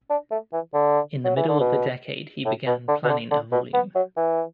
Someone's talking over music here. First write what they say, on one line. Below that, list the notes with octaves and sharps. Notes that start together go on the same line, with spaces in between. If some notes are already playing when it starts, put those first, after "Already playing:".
In the middle of the decade he began planning a volume.
D4
A3
E3
D3
F#3
E3
D3
B2
A2
B2
D3
B2
D3
D3
B2
B3
F#3
E3